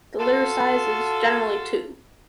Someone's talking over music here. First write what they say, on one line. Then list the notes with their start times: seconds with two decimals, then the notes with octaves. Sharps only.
The litter size is generally two.
0.19 F4 F#4 A4